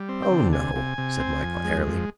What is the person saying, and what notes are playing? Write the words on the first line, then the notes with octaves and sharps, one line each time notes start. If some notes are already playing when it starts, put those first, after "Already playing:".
"Oh, no," said Michael, airily.
Already playing: G3
C4
G5
D3
C3 G#5
C3
C3
C4
F2
G#3
F2